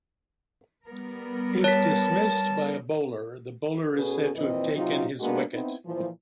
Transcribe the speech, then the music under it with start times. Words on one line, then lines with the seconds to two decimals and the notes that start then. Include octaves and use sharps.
If dismissed by a bowler, the bowler is said to have "taken his wicket".
0.88 G3 B3 A#4
1.64 C#5 A5 B6
3.94 B2 C#4 G#4 A4 B4
4.35 F2 A#2 E3 C4 D#5
4.73 C3 F#3 D#4 F4 G4
5.20 G#3 A#3 B3 D4 F#4
5.52 B3 C4 D#4 E4
5.85 A#2 E3 F3